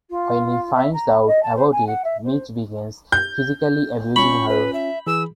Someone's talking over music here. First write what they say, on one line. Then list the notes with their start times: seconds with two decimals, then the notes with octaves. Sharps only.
When he finds out about it, Mitch begins physically abusing her.
0.10 F4
0.75 E5
0.93 A#5
1.27 D#5
1.43 A5
1.56 C5
1.72 G#5
1.87 F#5
2.04 E5
2.24 C5
3.12 G6
4.16 C#4 F4 B5 C#6
4.49 B4
4.74 E5
5.07 E3 G#4 E6